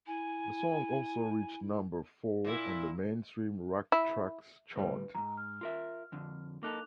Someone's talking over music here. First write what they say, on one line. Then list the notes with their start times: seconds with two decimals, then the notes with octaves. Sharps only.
The song also reached number four on the Mainstream Rock Tracks chart.
0.07 E4 G#5
2.44 A#2 E4
3.92 E4
4.76 A2 D3 G3 B4
5.15 F2 G#2 A#5
5.37 F6
5.61 F4 A#4 E5
6.12 F2 D3
6.63 A#3 D#4 A4 D6 F#6 F7